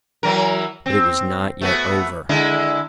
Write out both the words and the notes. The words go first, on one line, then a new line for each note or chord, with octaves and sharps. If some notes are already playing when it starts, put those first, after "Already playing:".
But it was not yet over.
E3 F#3 A#4
C4
A3 B3 F#4
D3 G#3 E4